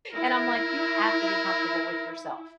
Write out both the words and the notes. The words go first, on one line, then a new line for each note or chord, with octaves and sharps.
and I'm, like, you have to be comfortable with yourself
E4 A#4